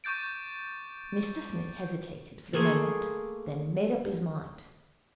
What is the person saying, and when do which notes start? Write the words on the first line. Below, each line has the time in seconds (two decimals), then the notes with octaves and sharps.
Mr Smith hesitated for a moment, then made up his mind.
0.04 C#6 D6 G6 A6 D7
2.53 A3 A#3 G#4 C6